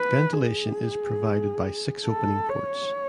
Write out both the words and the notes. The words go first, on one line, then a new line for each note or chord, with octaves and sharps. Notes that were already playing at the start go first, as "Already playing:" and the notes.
Ventilation is provided by six opening ports.
Already playing: B4
G#4
A4
C#5